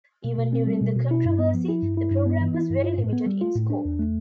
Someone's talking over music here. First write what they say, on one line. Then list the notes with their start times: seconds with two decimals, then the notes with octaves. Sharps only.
Even during the controversy, the program was very limited in scope.
0.24 B2
0.38 B2
0.53 C4
0.67 G3
0.81 B2
0.95 B2
1.11 E4
1.25 G2
1.39 B3
1.54 F3
1.68 E4
1.83 G2
1.97 E4
2.11 G2
2.26 B3
2.41 E3
2.55 E4
2.70 G2
2.84 F4
2.98 A2
3.12 B3
3.26 G3
3.41 F4
3.56 A2
3.70 D4
3.85 E2
3.99 A3